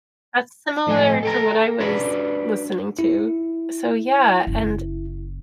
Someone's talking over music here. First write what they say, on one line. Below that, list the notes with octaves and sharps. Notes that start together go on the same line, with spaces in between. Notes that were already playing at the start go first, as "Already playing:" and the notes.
That's similar to what I was listening to. So, yeah. And,
F2 A2 A3 D#5 G#5
A4 G5 A#5
D4 F#4 B4 D5
E4
F#1